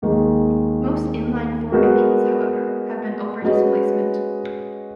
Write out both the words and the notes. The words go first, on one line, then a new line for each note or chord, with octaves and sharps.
Most inline-four engines, however, have been over displacement.
D#2 D#3 G#3
G#3 B3 F#4 A#4 D#5
G#3 C#4 F#4 B4 D#5